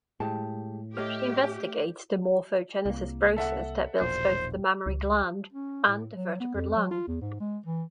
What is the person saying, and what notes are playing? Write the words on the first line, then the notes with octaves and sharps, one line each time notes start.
She investigates the morphogenesis process that builds both the mammary gland and vertebrate lung.
A2 G#3 G4 G#4 A5
A3 G4 C#5 D#5 E5 F6
C2 A#3
A4 E5 F#5
E1 A#1 A#2 C5
C#2
C#4
A2
F#3
B3
F2
F#3
F4
E2
G#2
G#3
E3